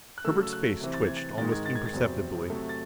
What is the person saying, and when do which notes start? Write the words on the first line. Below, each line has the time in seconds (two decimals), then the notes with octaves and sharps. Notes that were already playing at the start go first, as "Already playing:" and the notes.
Herbert's face twitched almost imperceptibly.
0.18 F#6
0.24 C#3 F#3 A3 E6
0.43 E6
0.53 F#6
0.81 C3 E3 C4
0.94 A6
1.06 G#6
1.17 A6
1.37 G#2 D#3 G#3 A6
1.52 G#6
1.66 A6
1.76 G#6
1.86 A6
1.93 E2 C3 F#3 C4
2.50 C3 F#3 A3
2.69 A6